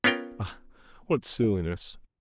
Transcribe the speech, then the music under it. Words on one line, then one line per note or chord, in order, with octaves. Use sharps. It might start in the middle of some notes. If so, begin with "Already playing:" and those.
Ah, what silliness!
B3 C#4 F4 A#4 G5